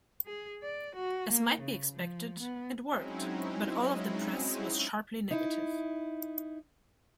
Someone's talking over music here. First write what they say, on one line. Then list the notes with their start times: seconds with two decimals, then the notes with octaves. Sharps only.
As might be expected, it worked, but all of the press was sharply negative.
0.26 G#4
0.63 D5
0.96 F#4
1.29 A#3
1.61 C#3
1.93 F3
2.40 B3
2.87 F#3 G#3 C4 C#4 D#4 E4
5.31 D#4 E4